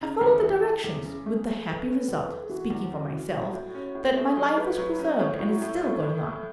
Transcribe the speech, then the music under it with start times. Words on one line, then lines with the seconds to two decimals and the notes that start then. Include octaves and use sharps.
I followed the directions, with the happy result--speaking for myself--that my life was preserved, and is still going on.
0.01 C#3 G#4
0.21 E2
0.43 E3
0.63 A3
0.84 E2
1.04 C#3
1.26 A3
1.47 A3
1.67 A3 B4
1.88 A3
2.08 E2
2.29 A3
2.43 G#4
2.49 E3 F#4
2.70 E2
2.92 C#3
3.13 E3
3.33 A2
3.53 A2
3.75 C#4
3.95 A2
4.16 A3 G#4
4.37 F#3
4.57 A2 B4
4.78 F#3
4.99 C#4
5.19 A2
5.40 F#3 E4
5.49 F#4
5.58 A2 E4
5.82 A3
6.03 A2
6.23 A3